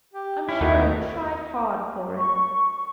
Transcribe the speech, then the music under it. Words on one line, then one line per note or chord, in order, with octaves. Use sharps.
I'm sure I have tried hard for it.'
G4
C#4 E4
D#2 D#3 A3 D#4 F#4
C#6